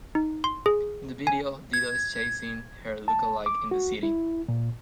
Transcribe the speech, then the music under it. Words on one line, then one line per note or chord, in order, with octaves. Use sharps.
In the video, Dido is chasing her lookalike in the city.
D#4
C6
G#4
G#5
G#6
A5
D6
F#4
E4
A#2